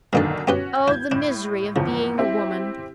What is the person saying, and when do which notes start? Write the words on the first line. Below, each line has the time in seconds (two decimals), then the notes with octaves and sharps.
Oh, the misery of being a woman!
0.13 B1 B2 D3 D#3 A#3 A4
0.47 B3 C#4 F#4 G4 B4
0.88 E4 G6 G#6
1.11 A2 D4
1.76 E2 G#2 C#3 F3
2.18 C4 E4 G4